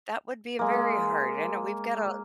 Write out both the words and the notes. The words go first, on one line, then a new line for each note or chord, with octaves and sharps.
that would be very hard. I know we've gotta
G#3 A#3